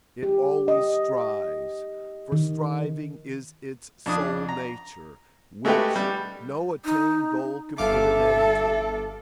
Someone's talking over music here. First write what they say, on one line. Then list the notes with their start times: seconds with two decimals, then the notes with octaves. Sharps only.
It always strives, for striving is its sole nature, which no attained goal can put an end to.
0.23 G4
0.68 D#5
2.32 D#3
4.06 F2 D4 D#6
4.49 A#5
5.65 G#3 A3 F#4 G4 B4 G5
5.96 G3
6.85 D#4
7.78 G1 A4 E5 F5 D6